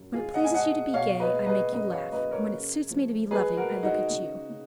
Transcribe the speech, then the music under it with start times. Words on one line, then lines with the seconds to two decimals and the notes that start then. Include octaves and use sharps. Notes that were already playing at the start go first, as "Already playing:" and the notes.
When it pleases you to be gay, I make you laugh; when it suits me to be loving, I look at you.
Already playing: F#2
0.14 G#3 F4 G#4
0.34 D#5 F#5
0.44 G#5
0.53 G#3 D#5 F#5
0.93 B2 C#5 F5
1.20 B4 D#5
1.33 G#3
1.46 B4 D#5
1.72 F#2 B4 D#5
1.92 C#5 F5
2.12 F#2 B4 D#5
2.31 A#4 C#5
2.52 C#3
2.91 F3
3.31 G#3 G#4 B4
3.57 F#4 A#4
3.71 G#3
3.83 D#4 F#4
4.10 C#3
4.49 C#3